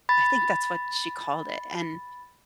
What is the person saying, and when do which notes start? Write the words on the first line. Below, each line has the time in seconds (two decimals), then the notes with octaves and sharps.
I think that's what she called it, and
0.09 B5 A6